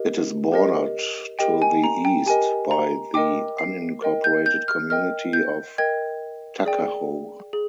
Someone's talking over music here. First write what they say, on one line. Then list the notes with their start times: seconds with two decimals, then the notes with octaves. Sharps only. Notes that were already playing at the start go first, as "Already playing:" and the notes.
It is bordered to the east by the unincorporated community of Tuckahoe.
Already playing: G4 A#4 D#5
0.52 G4 A#4 D#5
1.39 G4 A#4 D#5 G5
1.62 G#5
1.84 A#5
2.05 G5
2.26 G4 A#4 D#5 G#5
2.71 A#5
3.14 A#4 D#5 G5 D6
3.58 C7
4.02 A#4 D#5 G5
4.24 G6
4.46 G6
4.68 F6
4.90 A#4 D#5 G5 F6
5.33 G6
5.78 A#4 D#5 G5 G#6
6.65 G#4 D5 G5
7.53 G#4